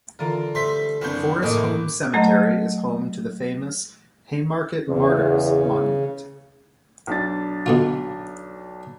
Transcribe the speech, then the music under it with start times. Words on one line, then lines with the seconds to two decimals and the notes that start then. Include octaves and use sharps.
Forest Home Cemetery is home to the famous "Haymarket Martyrs' Monument".
0.19 D3 E3 F4 A4 A#4
0.55 G3 A3 C5 C6 B6
1.01 F#1 B3 C4 D4 B4 G6 C#7
1.42 F#1 A2 E3 A#3 G#4 D#5 D6
2.14 F#3 A3 D#5 A#5
4.88 E2 C#3
7.07 B1 D4 A6
7.66 B2 D3 F4